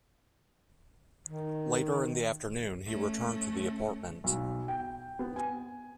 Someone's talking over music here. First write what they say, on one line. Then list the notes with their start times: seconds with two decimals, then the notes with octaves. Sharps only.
Later in the afternoon he returned to the apartment.
1.28 D#3
2.86 A3 C#4
4.24 B1
4.68 G5
5.19 B3
5.36 G#5